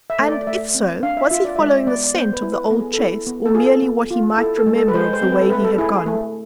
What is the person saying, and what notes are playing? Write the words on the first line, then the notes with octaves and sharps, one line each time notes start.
And, if so, was he following the scent of the old chase or merely what he might remember of the way he had gone?
E5
A3
D5
D5
A3 E5
C4
D4 F5
E5
F4 E5
D5
G#3 E5
D5
E5
B3 D5
D5
B3 C5
B4
E4
B4
B3 A4
G#4
A4
E4
B3
A4
F4 G#4
A4
B3
F4
E4 A4
A4
G#3
A4
B4
G#3 C5
C5
C4
B4
A4
A3 B4
A4
E4 G#4
G#4
A3